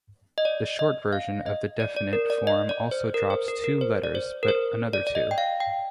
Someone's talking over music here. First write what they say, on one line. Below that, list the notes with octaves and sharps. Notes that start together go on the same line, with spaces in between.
The short version of the definite form also drops two letters, but another two.
D#5
D5
D#5
F5
D#5
D5
D5
A#4
D5
D#5
D5
C5
A#4
C5
A#4
A#4
C5
D5
C5
A#4
C5
D5
D5
D#5
G5
F5
G5